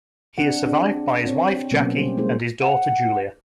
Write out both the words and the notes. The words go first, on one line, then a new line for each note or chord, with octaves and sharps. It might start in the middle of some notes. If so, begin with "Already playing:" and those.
He is survived by his wife, Jaquie, and his daughter, Julia.
C4 D4 F#5
C4 D4 G#4
C4 C#5
B2 F#3 A#3 B3 C#4
G3 G4 C5
G#3 A#3 E4 G#4 C5
F#5